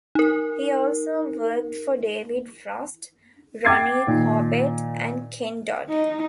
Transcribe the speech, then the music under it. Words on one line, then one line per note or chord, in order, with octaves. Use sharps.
He also worked for David Frost, Ronnie Corbett and Ken Dodd.
D#4 A#4
F#5 G5 D6 G#6 A6 C7
A#2 D#3
D#4